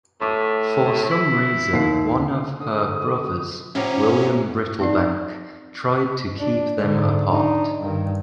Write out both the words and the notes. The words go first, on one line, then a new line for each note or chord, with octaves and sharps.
For some reason one of her brothers, William Brittlebank, tried to keep them apart.
A2 D6
E4
D#2 C7
D3 D#6
A2 C3 F3 C#4 E5 F#5 A#5 D6
C4 D#4 D5
D4
G#2 D3
D4 D#4
G2 D#3